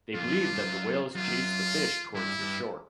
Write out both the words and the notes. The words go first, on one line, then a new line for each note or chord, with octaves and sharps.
They believed that the whales chased the fish towards the shore.
F2 F4
F#2
G2
G2
F#2
F#2 F4
G2 E4
G2